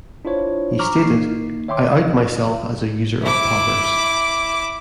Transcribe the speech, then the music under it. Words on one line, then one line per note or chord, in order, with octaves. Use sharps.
He stated, I out myself as a user of poppers.
D4 E4 F4 C5 C#5
A#5 C#6 D6 F6
D#3 A#3 D#4 C7
C#5 E5 G5 C6 D6
E4 D6